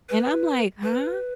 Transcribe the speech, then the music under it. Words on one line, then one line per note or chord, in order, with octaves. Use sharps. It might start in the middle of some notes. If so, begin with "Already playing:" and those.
And I'm like, "Huh?"
B4
B4